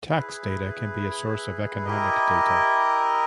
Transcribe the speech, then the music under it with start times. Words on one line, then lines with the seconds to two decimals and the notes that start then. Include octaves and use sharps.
Tax data can be a source of economic data.
0.09 E4 G#4 B4
1.85 E4 G4 A#4 D#5